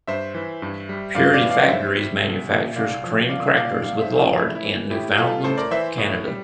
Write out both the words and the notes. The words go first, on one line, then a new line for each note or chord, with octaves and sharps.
Purity Factories manufactures cream crackers with lard in Newfoundland, Canada.
G2 C5 E5
E3
G2
G3
G2 D5 F5
D5 F5
E3
D5 F5
G2 C5 E5
G3
C2
A#2
C2 D5 F5
F3
C2 D5 F5
E5
A#2 D5 F5
C2 D5 F5
C5 E5
F3
F4
A2 E4
E4
E3
A2 E4 G4
G3 F4 A4
A2 A4 C5
A#4 D5
E3 C5 E5
A2
G3